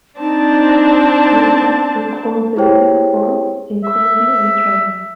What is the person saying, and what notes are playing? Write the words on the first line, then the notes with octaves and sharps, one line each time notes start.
Nicolas took all the leading parts in comedy and tragedy.
C4 D4 D#4 A5
E4 G4 G#4 C5 C#5 G5
E5